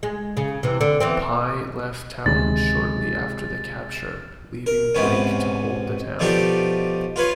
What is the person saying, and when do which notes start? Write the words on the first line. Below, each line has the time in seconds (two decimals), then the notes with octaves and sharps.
Pye left Taunton shortly after the capture, leaving Blake to hold the town.
0.03 G#3
0.37 C#3
0.63 C3 E3
0.81 D3
1.00 E3 B3 C4
2.26 D2 C3 D#3 G#3 A6
4.66 A#4
4.95 G#2 C3 B3 C#4
6.19 B2 F3 A3 D4 D#4 G4
7.16 F4 B4 C#5 F5